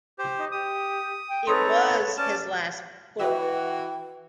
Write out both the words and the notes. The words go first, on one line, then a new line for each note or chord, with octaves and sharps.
It was his last book.
G4 C5
D#4
G4 D#6
G5
C4 D#4 A4 B4 C#5 A#5 C6 D#6
C#4 D5 A5
E3 F#4 B4 D#5 E5 G5